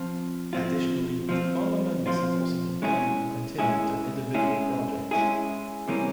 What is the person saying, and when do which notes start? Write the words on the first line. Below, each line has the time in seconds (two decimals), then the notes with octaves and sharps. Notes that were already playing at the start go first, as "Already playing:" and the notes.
Additionally, the former members have also begun or continued their individual projects.
Already playing: F3 C4 F4
0.53 F3 C4 F4
1.29 F3 C4 F4
2.06 F3 C4 F4
2.82 G#3 C#4 E4 G#4
3.59 G#3 C#4 E4 G#4
4.34 G#3 C#4 E4 G#4
5.11 G#3 C#4 E4 G#4
5.88 C3 E3 G3 A#3 C#4